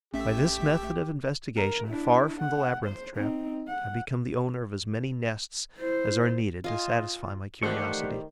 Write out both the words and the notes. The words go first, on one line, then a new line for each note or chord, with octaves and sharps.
By this method of investigation, far from the labyrinth-trap, I become the owner of as many nests as are needed to satisfy my curiosity.
A1 A3 C#4 G4 E5 B6
A#4
D4 E4
F#5
C5
C4 D#4
F#5
E4 C5
F4 D#5 G#5
D#3 E3 G3 A3 C5 D5 F#5 C#6